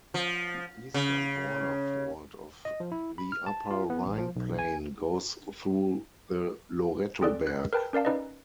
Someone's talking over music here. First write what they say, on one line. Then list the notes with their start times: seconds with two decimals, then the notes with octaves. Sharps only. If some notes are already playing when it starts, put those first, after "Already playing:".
The eastern border fault of the Upper Rhine Plain goes through the Lorettoberg.
0.14 F3
0.94 C#3
2.65 D#5
2.80 F3
2.92 E4
3.18 B5
3.32 F6
3.46 A5
3.70 F4
3.90 B3
4.06 A1
4.18 F3
4.36 B1
4.59 G#5
7.21 C4 F4 G#4 A4 D5 F#6
7.47 F#6
7.73 A#4 B4 G5 A5
7.93 C#4 A#4 D5 F5 A5
8.05 C#4 D#4 B4 D5 D#5